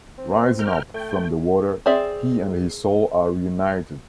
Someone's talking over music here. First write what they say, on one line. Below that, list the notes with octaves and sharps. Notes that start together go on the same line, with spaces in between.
Rising up from the water, he and his Soul are reunited.
C4
A#4 G5 F6
A3 G5
C4 G#4 D5 E5